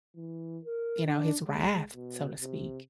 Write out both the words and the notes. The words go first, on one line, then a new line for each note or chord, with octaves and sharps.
you know, his wrath, so to speak.
E3
A#4
D4
G#3
B2
C3